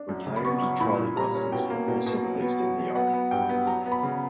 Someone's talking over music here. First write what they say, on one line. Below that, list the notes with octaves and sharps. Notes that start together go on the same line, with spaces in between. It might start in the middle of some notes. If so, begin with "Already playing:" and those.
Retired trolley buses were also placed in the yard.
Already playing: D4
F#2
C#3
B5
B3 C#6
F#2
A#2 B5
A#2
G3 A#5
C#4
B2 G5
A#3
B2
B2
F#3
B3
F#3
F#3
B3 F#5
B3
G2 G5
B3
F#3 A#5
B3
B5
C#3